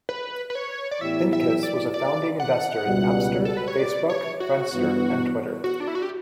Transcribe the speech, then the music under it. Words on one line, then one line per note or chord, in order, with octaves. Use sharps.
Pincus was a founding investor in Napster, Facebook, Friendster, and Twitter.
B4
B4
C#5
D5
A2 E3 B3 E4 G4 E5
E5
D5
D5
F#5
C#2 B2 G3
A4
B4
C#5
D5
C#5
F#4
G2 E3 B3
F#4
D4
E4
F#4
G4